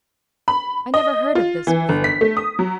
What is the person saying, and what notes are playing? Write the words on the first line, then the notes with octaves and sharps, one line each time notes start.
"I never heard of this before."
B5
D#5
F4
E3
G1
B6
A3
D#6
F#3